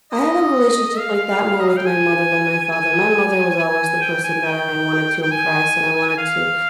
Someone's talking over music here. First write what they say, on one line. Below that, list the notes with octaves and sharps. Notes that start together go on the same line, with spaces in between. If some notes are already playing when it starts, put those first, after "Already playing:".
I have a relationship like that more with my mother than my father. My mother was always the person that I wanted to impress and I wanted to,
D#5
F5
D#5
F5
G5
G#5
G#5
G#5
G5
G#5
G5
G5
G#5
F5